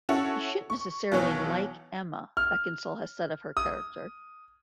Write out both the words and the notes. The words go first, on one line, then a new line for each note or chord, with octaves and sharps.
"You shouldn't necessarily like Emma," Beckinsale has said of her character.
C#4 E4 F#4 A4 C#5
C#6
B1 B2 E3 C#5
F6
D#6